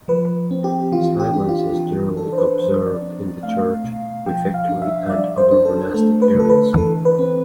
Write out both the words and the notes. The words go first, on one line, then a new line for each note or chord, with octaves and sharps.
Silence is generally observed in the church, refectory and other monastic areas.
F3 B4
C4
G4
E3 F4
G4
D4
F4
E3 G4
D4 A4
C5
B4
F3 C5
D5
C4
A3 F5
B2
F3 G5
F5
D4
E5
E5
G3 D5
C5
D4
A4
A3 A4
B4
D3 A4
B4
E3 A4
B4
C4